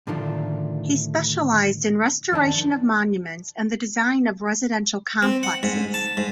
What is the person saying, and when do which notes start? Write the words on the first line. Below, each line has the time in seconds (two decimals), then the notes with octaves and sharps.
He specialized in restoration of monuments and the design of residential complexes.
0.07 A2 D3 D#3 F3 A3 D4
2.32 F2 D#3 D4 A5
5.22 C4
5.43 F#5
5.63 G#2
5.94 A5
6.17 G#2